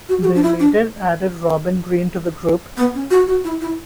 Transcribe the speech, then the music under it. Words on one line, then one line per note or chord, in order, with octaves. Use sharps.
They later added Robin Green to the group.
F#4
G#4
F#4
D4
E4
D4
B3
C#4
F#4
F#4
E4
E4